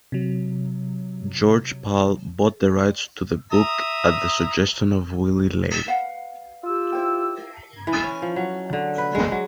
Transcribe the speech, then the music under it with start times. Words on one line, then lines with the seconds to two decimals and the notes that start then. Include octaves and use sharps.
George Pal bought the rights to the book at the suggestion of Willy Ley.
0.12 C3 F#3
3.52 E5 A#5 D#6
5.87 B4 F5 F#5
6.64 F4 G4 E6
6.92 E4 C5 G5
7.87 E3
8.04 C#4
8.22 F3
8.36 F#3
8.73 D3
8.98 B4
9.15 G#3
9.32 F#3